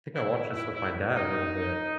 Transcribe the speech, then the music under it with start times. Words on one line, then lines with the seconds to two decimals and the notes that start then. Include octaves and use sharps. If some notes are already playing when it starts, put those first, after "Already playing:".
think I watched this with my dad a little bit,
0.15 E4
0.36 E4
0.55 E4
0.75 E4
1.16 D#4